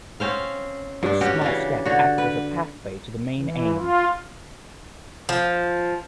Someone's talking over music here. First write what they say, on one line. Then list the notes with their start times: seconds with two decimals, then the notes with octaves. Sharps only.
This small step acts as a path way to the main aim.
0.20 C4 C#4 C5 F5
1.03 G2 D4
1.21 C#4 F#4 G4
1.41 C#3 E3 D4
1.85 D3 F#4
2.18 B4
3.39 E3
3.78 F4
5.29 F3